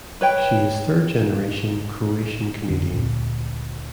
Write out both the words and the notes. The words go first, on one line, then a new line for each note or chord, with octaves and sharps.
She is a third-generation Croatian-Canadian.
B4 C#5 G5
F2 D3 D#3 C4
D2 A#2